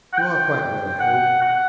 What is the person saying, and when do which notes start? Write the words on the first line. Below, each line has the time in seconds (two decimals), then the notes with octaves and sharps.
You are quite well, I hope?
0.13 F#5
0.18 G5
1.00 F#5
1.41 F#5